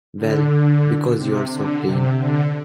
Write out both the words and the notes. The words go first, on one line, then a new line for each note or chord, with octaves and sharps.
Well, because you're so clean.
D3
C3
D3
C3
D3